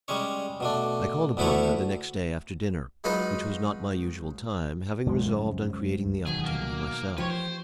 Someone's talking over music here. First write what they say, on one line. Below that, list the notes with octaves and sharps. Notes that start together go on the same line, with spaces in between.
I called upon her the next day after dinner, which was not my usual time, having resolved on creating the opportunity myself.
G3 G#3 C#4 C#5
B2 A3 D4
D2 B3 E4 A4 B4 C#5
F#3 G#3 D#4 F4 B4 D#5
C#2 F#2 F3 G#3
B2 D#3 F#3 G#4
A#3
F3 G4 B4 C#5
C5